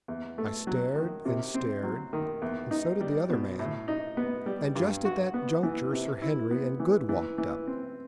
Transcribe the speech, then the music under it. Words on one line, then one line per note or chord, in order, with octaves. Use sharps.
I stared and stared, and so did the other man, and just at that juncture Sir Henry and Good walked up.
E2
A3
F#3
D#3
C3
C4
F#3
D#3
E2
D#4
G3
B2
A2
D#4
B3
G3
G2
F#4
B3
E3
C3
E4
B3
E3
E3
E3
C4